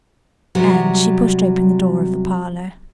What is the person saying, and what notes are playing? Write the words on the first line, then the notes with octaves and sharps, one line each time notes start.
And she pushed open the door of the parlour.
C3 F#3 G3